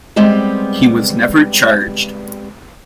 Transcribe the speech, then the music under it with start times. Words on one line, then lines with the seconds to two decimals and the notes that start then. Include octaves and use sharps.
He was never charged.
0.16 G3 G#3 B3 C4 G4